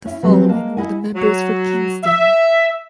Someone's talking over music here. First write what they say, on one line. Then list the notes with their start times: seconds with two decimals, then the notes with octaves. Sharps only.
The following were the members for Kingston.
0.06 C#4 E4
0.23 E3 F#3 G3 A3 C4
0.49 G#3 A#3 A5
0.77 E4 D#5 F#5 G#5
1.15 F#3
2.04 E5